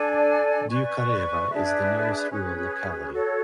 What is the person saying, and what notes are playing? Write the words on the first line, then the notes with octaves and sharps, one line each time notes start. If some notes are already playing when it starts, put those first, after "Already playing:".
Dyukareva is the nearest rural locality.
Already playing: D4 A4 D5 G#5
B4 D5 G#5 C#6
D4 G#4 B4 E5
C#4 G#4 B4
F#4 A4 C#5